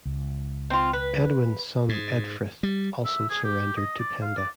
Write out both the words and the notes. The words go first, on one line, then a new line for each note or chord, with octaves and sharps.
Edwin's son Edfrith also surrendered to Penda.
C#2
C4 F4
B4
G#2
G3
E5
G#4
G4
D#5
D5
F5
D5